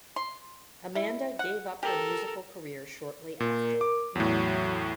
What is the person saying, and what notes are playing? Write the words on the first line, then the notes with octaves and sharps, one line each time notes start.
Amanda gave up her musical career shortly after.
C6
E4
F#5
G4 A4 A#4
A#2 A#4
D6
E2 A2 F#3